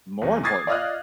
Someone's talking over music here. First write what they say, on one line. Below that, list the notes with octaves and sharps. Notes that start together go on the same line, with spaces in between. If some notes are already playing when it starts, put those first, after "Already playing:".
More important.
E2
D6 D#6 G#6 A6 C7
D5 D#5 F5 D#6 F6 F#6